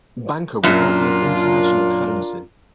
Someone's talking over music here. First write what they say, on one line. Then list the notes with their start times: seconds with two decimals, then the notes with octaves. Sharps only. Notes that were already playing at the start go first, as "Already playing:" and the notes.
Bancor would not be an international currency.
0.63 F#2 A#2 D4 F4 A#4